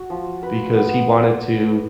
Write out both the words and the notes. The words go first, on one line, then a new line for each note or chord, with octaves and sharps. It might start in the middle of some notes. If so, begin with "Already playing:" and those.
because he wanted to
Already playing: F#4
F3
B4
B3